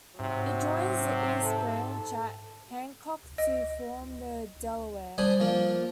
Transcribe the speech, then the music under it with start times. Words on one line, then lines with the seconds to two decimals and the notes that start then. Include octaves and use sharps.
It joins the East Branch at Hancock to form the Delaware.
0.20 G#2 C3 F#3
1.42 A4
3.38 D#5
5.18 G3 D4 C5 G#5 B5 D#6
5.40 F3 A#3 F4